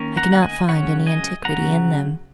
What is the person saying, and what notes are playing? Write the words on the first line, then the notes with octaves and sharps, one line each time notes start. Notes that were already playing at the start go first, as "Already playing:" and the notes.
I cannot find any antiquity in them.
Already playing: D#3 A#3 C#4
F#5 A#5
F#5
D#5 G#5
C#3 F#3 C#4 C#5 F#5
D#5 G#5
C#3 F#3 C#4 F#5 A#5